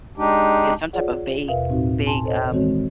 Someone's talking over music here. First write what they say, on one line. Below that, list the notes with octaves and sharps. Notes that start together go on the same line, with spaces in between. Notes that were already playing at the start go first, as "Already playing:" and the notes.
Yeah, some type of vague vague, um
G#3 D4 D#4 G4
F4 G#4 C#5 D5 F#5
D#2 B2 A#4 B4 E5 F5
A2 C4 D#4 F#4
G#5 A5 C6
A4 C5 C#5 D#5
D#3 E3 G#3 C4 F#4 C#5